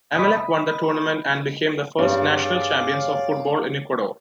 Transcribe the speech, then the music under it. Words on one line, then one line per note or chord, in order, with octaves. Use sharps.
Emelec won the tournament and became the first national champions of football in Ecuador.
D#5 B5
G2 G#4 C#5 D5 F5